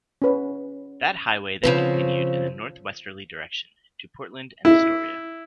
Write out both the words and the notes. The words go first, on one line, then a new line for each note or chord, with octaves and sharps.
That highway then continued in a northwesterly direction to Portland and Astoria.
C#4 B4
C#3 F3 C4 B4
E4